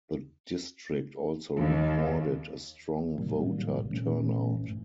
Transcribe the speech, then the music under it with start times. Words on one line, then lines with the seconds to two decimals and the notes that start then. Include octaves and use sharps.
The district also recorded a strong voter turnout.
1.57 D#2
3.18 A2 C3 D#3 F#3 G3 A#3
3.91 A#2 E3 A3 C#4
4.67 G#2